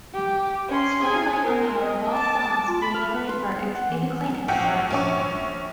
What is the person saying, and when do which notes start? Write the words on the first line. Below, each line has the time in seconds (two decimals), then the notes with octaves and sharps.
Square-leg umpire Bob Thoms delivered his verdict: If you claim it, Sir!
0.14 G4
0.68 C#4 C6
1.03 G#4 G#5
1.42 A#4 C5
1.79 D#5
2.11 A5 D6
2.68 F4
2.82 B5
2.94 F6
3.13 B4
3.29 C6
3.46 G3
3.60 G#4
3.74 F#5
3.90 E3
4.48 A#1 F#5 G5
4.90 A#1 C#4 C#6